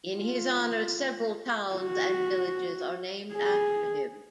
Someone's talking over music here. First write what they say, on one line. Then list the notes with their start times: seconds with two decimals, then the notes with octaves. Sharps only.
In his honor, several towns and villages are named after him.
0.16 F4
1.74 F#4
3.33 G#4